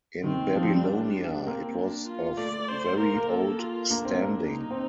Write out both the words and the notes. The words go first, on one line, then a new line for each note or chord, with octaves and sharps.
In Babylonia, it was of very old standing.
D#3 C4
F3
G3
D4
A#3 C4
D4
F4
A3 D5
C5
A#3 A#4
A#3
A4
F4
A#3 D4
C4
A#3
D#4
C4